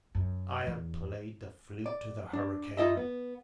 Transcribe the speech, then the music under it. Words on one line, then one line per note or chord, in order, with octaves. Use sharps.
I have played the flute to the hurricane.
F#2
E2
D5
D4
D#4 F4 D#5 E5
B3